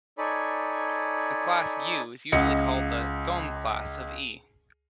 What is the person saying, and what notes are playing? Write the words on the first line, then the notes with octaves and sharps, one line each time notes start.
The class "u" is usually called the Thom class of "E".
D#4 A4 C#5 D5 G#5 B5
C#2 D#5 F#5 C#7